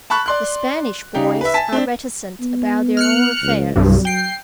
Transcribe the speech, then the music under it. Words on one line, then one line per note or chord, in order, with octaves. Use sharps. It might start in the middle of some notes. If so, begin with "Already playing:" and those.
The "Spanish boys" are reticent about their own affairs.
A5 B5 C#6 F#6
D5 C6 F#6
C#3 D#4 G4
B4 E5
G#5 A5 B6
C4 D4
B3
F6 F#6 C#7
C#2
C2 G2 F#3
G5 C7